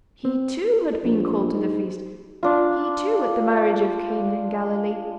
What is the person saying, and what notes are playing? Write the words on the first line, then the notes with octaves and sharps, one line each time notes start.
He, too, had been called to the feast. He, too, at the marriage of Cana in Galilee....
C4
A#1
G#2
D4 F4